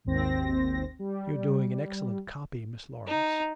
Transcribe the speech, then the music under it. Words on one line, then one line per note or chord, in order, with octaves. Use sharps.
'You're doing an excellent copy, Miss Laurence.'
G#1 D#2 C4 A#6
G3
D#4